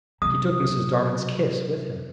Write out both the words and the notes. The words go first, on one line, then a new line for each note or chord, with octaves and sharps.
He took Mrs. Darling's kiss with him.
C3 F#3 D#6